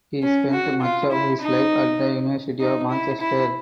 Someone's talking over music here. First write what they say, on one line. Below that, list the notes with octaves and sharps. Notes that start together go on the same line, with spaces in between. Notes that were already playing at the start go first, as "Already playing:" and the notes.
He spent much of his life at the University of Manchester.
C#4
F#4
F4
E4
D#4
D#4
E4
E4